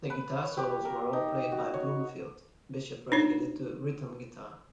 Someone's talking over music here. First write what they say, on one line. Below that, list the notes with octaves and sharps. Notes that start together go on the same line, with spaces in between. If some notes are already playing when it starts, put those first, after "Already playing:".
The guitar solos were all played by Bloomfield, Bishop relegated to rhythm guitar.
B4
C#5
G4
A#4
D#4
F#4
C#5
D4 D#4 C#5